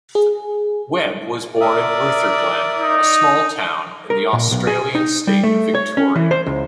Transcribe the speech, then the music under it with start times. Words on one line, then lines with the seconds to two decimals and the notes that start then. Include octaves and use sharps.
Webb was born in Rutherglen, a small town in the Australian state of Victoria.
0.15 G#4
1.61 A#4 D5 E5 D#6
2.80 D#4
4.10 A#4
4.33 A#2
4.51 B1
4.67 G#4
4.95 D#4
5.27 G3
5.43 A3
5.75 C#5
5.97 C#4
6.16 E3
6.31 C5
6.46 C#2